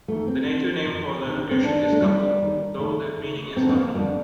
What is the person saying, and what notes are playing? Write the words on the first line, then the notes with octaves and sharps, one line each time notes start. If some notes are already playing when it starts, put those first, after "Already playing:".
The native name for the location is Cappoong, though the meaning is unknown.
F2 D#3 A3
C4
D#2 D3
F2 C3 D#3
D2 C3 D#3
C4
D#2 D#3 D4
D4
A3
D2 C3 D#3 G3
D#2 D#3
D#2 D#3 A3
D#2 D#3
D#2 D3 C4
C4
A#3
F2 D3 G3